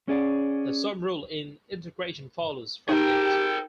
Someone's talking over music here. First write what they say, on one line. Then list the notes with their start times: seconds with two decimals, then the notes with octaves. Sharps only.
The sum rule in integration follows from it.
0.08 C#4 G#4 D5
2.89 D#4 G4 G#4 A#4 G5